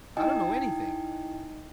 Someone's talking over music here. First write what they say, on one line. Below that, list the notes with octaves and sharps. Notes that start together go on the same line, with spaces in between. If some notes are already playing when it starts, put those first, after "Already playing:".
I don't know anything.
D#4 E4 D#5 G5 G#5